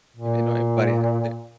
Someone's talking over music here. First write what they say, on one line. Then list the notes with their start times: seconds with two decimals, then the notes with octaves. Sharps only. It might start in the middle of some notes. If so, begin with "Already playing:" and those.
If You know, everybody has to
0.17 A#2